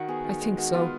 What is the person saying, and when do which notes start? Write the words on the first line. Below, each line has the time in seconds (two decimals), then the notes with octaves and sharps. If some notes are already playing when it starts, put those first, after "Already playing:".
I think so.
Already playing: D#3 F#4
0.08 B3 G#4
0.25 D#3
0.41 G#3
0.58 D#3 F#4
0.74 B3 F4